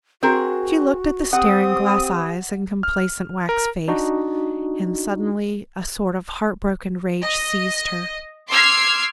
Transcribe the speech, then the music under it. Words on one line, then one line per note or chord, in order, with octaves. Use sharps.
She looked at the staring glass eyes and complacent wax face, and suddenly a sort of heartbroken rage seized her.
C4 F#4 G#4 A#4
C4 G4 F#5 D#6
F6
A#4
D4 D#4 F#4
D#5
C6 D6 E6 F6 G#6 C7